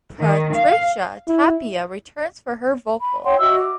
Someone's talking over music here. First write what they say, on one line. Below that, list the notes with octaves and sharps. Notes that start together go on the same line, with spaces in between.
Patricia Tapia returns for her vocal.
D#3
F5
E4
B5
C#5 F#5 G5 C6
F#4 D#5 E5 E6
D6